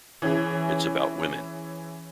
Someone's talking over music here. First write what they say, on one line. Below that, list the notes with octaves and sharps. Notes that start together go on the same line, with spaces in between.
It's about women.
E3 C#4 G#4